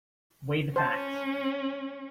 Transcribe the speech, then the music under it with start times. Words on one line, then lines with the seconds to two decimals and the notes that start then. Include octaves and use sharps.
Weigh the facts.
0.76 C#4 C5 A5